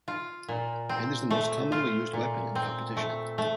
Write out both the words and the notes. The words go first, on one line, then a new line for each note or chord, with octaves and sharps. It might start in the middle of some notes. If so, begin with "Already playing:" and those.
It is the most commonly used weapon in competition.
F4
A#2
C4
A3
F4
A#2
C4
A3
A3